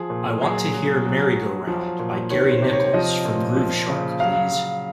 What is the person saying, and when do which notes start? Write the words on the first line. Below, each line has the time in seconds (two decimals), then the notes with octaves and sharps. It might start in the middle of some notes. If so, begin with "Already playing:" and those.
I want to hear Merry Go Round by Gary Nichols from Groove Shark please.
Already playing: F3 G#4
0.10 A#2
0.42 F#3 G#4
0.73 F#3
1.05 F#3
1.36 F#3
1.67 F3
1.99 A#2
2.30 D#3 C#5
2.52 C5
2.62 C3
2.73 C#5
2.93 F3 D#5
3.25 A#2
3.56 F3
3.89 C#3
4.20 F#3 F5
4.51 F#3